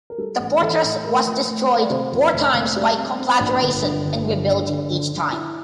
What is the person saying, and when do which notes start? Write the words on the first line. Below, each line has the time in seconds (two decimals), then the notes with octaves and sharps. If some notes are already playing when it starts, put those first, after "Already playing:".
The fortress was destroyed four times by conflagration and rebuilt each time.
0.10 A#4
0.18 G3 A4
0.39 A1
0.61 E3 A4
0.83 A2
1.04 A3 A#4
1.26 F3
1.47 A3
1.68 A3
1.80 D5
1.89 C3 C5
2.12 F2
2.33 F1
2.54 F1
2.76 G3 D5
2.97 C4
3.19 C4
3.40 A#1
3.62 G1
3.82 G2
4.04 G1
4.27 G2
4.47 G2
4.68 D3
4.91 D3
5.12 D3
5.33 E4